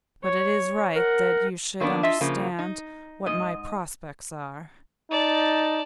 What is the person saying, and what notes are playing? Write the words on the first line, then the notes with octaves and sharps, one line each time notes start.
But it is right that you should understand what my prospects are.
C#5
A#4 F#5
D#3 A#3 B3 D4
F4 D#5 E5
C#3 F3 A#3
D#4
G#2 D#5
D#4 D5 A5